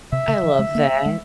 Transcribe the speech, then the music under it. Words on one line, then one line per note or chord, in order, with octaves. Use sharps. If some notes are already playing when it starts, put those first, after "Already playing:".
I love that.
C3 E5
C#3
F3
G#3
A#3
G#3